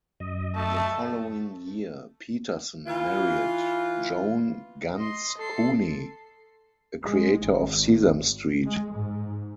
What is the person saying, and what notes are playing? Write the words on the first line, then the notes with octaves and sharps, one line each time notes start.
The following year, Peterson married Joan Ganz Cooney, a creator of Sesame Street.
F#2 D#5
A3 A5
E3 F4
D#5 C6
A4 C7
G#3
G#1
G#3
G#2